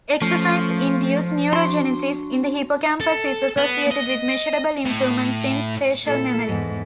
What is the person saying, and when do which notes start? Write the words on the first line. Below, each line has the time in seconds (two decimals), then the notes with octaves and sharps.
Exercise-induced neurogenesis in the hippocampus is associated with measurable improvements in spatial memory.
0.22 F3 A3 C#4
1.53 D4 F#4 C6
3.00 A4
3.57 B3
3.92 D#5
4.85 A2
6.03 A#2 E4 A4
6.47 E2 G#2